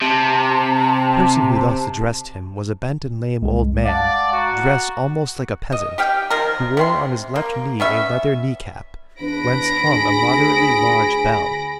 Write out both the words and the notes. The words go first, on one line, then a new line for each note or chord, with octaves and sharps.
The person who thus addressed him was a bent and lame old man, dressed almost like a peasant, who wore on his left knee a leather knee-cap, whence hung a moderately large bell.
C3 A5
C2 G#3
D5 F5 F#5 A5
F#4 A#5 C#6
D#5
G4 F5 G5
D#3 F3 A#4
C3 F4 C6
A#3
B3 C#4 E5
E2 D4 B4 B5 A#6 D7
D2 G#4